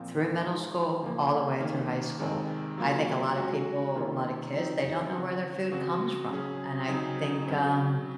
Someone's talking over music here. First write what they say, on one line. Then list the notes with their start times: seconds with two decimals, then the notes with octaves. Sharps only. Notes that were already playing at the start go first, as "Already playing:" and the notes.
through middle school all the way through high school. I think a lotta people lotta kids, they don't know where their food comes from, and I think, um,
Already playing: A#2 F3 C4
0.43 F3 G#3 D#4
1.02 C#3 F3 A#3
1.60 D#3 A#3 C#4
2.19 C3 D#3 G#3 C4
2.78 F#3 A#3 F4
3.36 G#3 C#4 F#4
3.95 C3 D#3 A#3 C#4 F4
4.53 D#3 F#3 C4 D#4
5.12 C#3 F#3 C4 F#4
5.72 C#3 F#3 C4 F#4
6.30 C#3 F#3 C#4 G#4
6.88 C#3 F#3 C4 D#4 G#4
7.47 C#3 F#3 C4